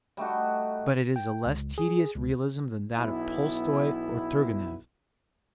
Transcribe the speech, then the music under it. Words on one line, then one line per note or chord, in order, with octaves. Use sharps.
But it is a less tedious realism than that of Tolstoy or Turgenev.
G3 A3 D#4 F#4
G5
C#2
G#4
C#2
B1 B3 E4